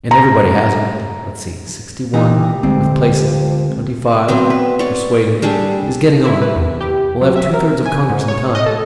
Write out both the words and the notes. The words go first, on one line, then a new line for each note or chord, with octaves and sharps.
And everybody has 'em. . . .Let's see: . . . sixty-one. . . . with places . . . twenty-five . . . persuaded--it is getting on; . . . . we'll have two-thirds of Congress in time . . .
A#5
A#2 E3 D#4 G4
D2 G#3 A#3 C4
F3
F#3 B3 C4
B4
C#5 D5
G3 D4 G#4 A4
E4
B4
E2
G4
F#3
E5
A#4
G#5
G#2
C#5
D#5
A4